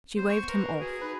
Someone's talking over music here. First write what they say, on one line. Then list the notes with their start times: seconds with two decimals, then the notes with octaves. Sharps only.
She waved him off.
0.17 B3 C5
0.30 B3 C#6
0.48 A#4 B4
0.80 F#4 G#4
1.01 D#4 B4